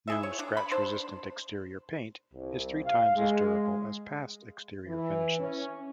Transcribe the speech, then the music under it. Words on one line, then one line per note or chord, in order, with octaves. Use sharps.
New scratch-resistant exterior paint is three times as durable as past exterior finishes.
E4 G#4 E5
C#5
D4
B5
D4 C5
C2
F5
G#3
E3
C#4